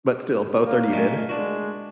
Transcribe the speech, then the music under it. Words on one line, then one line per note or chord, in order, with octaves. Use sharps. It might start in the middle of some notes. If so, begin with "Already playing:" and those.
But still, both are needed.
A#3
A#2 G#3 A3
G#3 D4 F#4